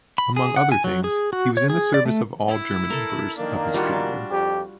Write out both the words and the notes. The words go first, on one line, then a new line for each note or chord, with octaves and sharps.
Among other things he was in the service of all German emperors of his period.
B5
G#4
F#5
G#5
F#3
G#4
F#4
C#5
G#4
D5
A3
E4
A4 A#4
D#3 A#3 D4
G3 F4 F#4
F2 G4